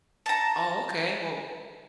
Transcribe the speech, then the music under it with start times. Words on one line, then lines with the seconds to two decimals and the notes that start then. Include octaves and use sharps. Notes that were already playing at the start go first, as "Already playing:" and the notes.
Oh, okay. Well
0.26 A5 A#5